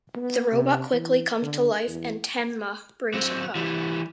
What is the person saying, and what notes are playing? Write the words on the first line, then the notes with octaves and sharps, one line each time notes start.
The robot quickly comes to life, and Tenma brings him home.
B3
C3
E3
D3
E2
F#3 C4
E3 G3